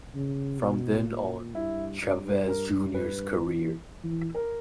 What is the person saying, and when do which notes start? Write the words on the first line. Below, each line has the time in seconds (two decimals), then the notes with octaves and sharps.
From then on, Chávez Jr.’s career.
0.15 C#3
0.61 B2
1.08 A#2
1.55 G2 E4
2.01 G2
2.48 A#4
2.94 B4
3.41 E3
4.04 E3
4.35 A#4